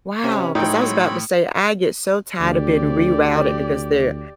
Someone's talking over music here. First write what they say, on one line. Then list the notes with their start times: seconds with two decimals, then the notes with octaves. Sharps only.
Wow, 'cause I was about to say I get so tired of being rerouted because they're
0.24 C3 C#4
0.55 A2 F#3 C4 D#4 C#5 G5 B5
2.40 D2 G4 D5